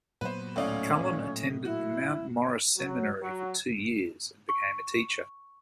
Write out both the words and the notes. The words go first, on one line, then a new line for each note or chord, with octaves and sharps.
Cullom attended the Mount Morris Seminary for two years and became a teacher.
A#2 F#3 B3 B4 C5
D2 A2 C#4 D#4 D5 F5
E4 F#4
F#3
F#3
C#6